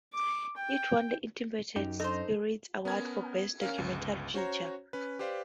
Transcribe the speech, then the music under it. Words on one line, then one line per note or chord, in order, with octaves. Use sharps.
It won the Independent Spirit Award for Best Documentary Feature.
D6
G5
F#2 D#4 G4 G5
D#4 A4 C5
B3 C#4 A#4 G#6
C#4 A#4 F5
G1 C#2
C#4 F#4 C5 C#5 A#5
C#4 B4
G4 B4 C5 D5 F5